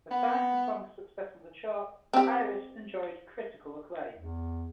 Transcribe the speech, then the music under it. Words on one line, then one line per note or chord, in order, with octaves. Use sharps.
Besides the song's success on the charts, "Iris" enjoyed critical acclaim.
B3
C4 G4
E2